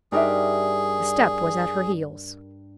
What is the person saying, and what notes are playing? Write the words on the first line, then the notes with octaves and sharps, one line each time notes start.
A step was at her heels.
G2 D4 D#4 G#4 A#4 D5 E5